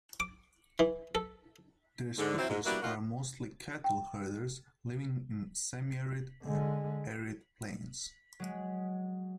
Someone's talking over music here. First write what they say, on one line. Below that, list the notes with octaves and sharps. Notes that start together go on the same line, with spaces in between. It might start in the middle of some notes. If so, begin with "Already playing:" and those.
Their speakers are mostly cattle herders living in semi-arid or arid plains.
D6
E3
A4
G#2 D3
F#3 C4 E4
G#2
G3 A#3 B3 D4 E4 F#4
A2 A#3 D#4 F4 F#4 F#5
G5
D3 G#3
F#3 G#3